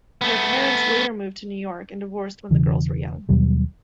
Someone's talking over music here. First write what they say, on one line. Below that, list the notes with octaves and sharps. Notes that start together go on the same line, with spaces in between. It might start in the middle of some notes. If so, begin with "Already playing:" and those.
Their parents later moved to New York and divorced when the girls were young.
A3 B3
E1 C#3 E3
D#2 B2 F#3 G3